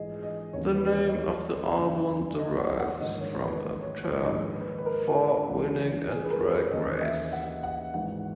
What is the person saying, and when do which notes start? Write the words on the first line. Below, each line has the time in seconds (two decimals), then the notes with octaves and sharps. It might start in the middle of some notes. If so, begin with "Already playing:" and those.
The name of the album derives from a term for winning a drag race.
Already playing: A#1 G#2 E3 G#4 D#5
0.23 D#5
0.53 D#2 C#3 E3 C#5
0.74 B4
0.95 C#5
1.06 D#5
1.15 C#5
1.77 F#1 E2 C#3 E3
2.38 D#5
2.59 F#5
2.80 F#5
3.00 A#1 G#2 D#3 D#5
3.21 C#5
3.42 B4
3.83 C#5
4.03 C#5
4.23 A#1 G#2 D#3 D#5
4.55 B4
4.78 B4
4.85 A#4
5.47 C#2 C#3 E3
6.09 G#4
6.24 B4
6.30 A#4
6.44 C#5
6.51 B4
6.65 C#5
6.71 D#2 C#3 E3 D#5
6.97 D#5
7.01 E5
7.33 F#5
7.63 F#5
7.94 G#1 G#2 E3 F#5